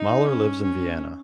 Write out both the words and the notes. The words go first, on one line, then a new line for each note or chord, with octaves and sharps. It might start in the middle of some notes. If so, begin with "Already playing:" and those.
Mahler lives in Vienna.
Already playing: D#4
C#4
C#4